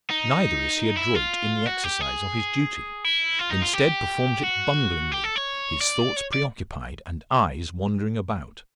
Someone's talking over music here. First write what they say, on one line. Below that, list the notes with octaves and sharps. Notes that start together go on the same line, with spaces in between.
Neither is he adroit in the exercise of his duty; instead performs it bunglingly; his thoughts preoccupied, and eyes wandering about.
D#4
E4
F4
F#4
G4
G#4
E4
F4
D#4
F4
G4
F#4
G4
A4
C#5
D5
C#5
D5